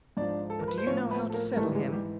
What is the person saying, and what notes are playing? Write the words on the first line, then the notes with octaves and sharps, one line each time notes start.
'But do you know how to settle him?
G#2 F3 D4 D5
A4
A#4
B4
C5
A2 F3 C#4 C#5
B3 B4
A4
A#3 A#4
A#4
G#2 E3 G3 A3 A4
G#3 G#4
G3 G4